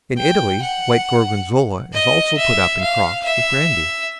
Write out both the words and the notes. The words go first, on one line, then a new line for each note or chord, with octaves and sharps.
In Italy white Gorgonzola is also put up in crocks with brandy.
G5
F#5
D#5
E5
F5
E5